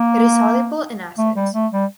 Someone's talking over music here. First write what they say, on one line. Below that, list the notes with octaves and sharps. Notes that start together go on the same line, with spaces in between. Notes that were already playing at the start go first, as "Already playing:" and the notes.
It is soluble in acids.
Already playing: A#3
A3
G3
A3
G3